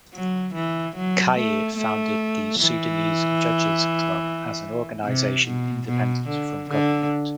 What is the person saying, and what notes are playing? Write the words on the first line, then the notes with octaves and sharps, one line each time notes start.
Khair founded the Sudanese Judges Club as an organisation independent from government.
F#3
E3
F#3
A3
A3
E3
C3
B2
B2
D3
D3